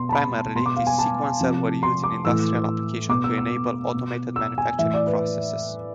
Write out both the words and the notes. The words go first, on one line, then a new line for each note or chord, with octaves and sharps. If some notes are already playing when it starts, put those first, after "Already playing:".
Primarily, these sequencers were used in industrial applications to enable automated manufacturing processes.
Already playing: B2 C6
A5
B5
B2 C6
D6
F5
G#5
A5
C3 F3
C6
D6
A2 E3 E6
B2 D6
E6
E6
B2
E6
G#5
A2 E3 E5
D5
B4